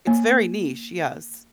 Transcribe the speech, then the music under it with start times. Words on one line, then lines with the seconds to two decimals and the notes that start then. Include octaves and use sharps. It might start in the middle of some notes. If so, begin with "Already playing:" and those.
It's very niche, yes.
0.07 A#3